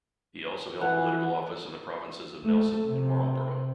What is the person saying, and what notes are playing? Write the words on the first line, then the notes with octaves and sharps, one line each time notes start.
He also held political office in the provinces of Nelson and Marlborough.
E3 F#5
A3
C3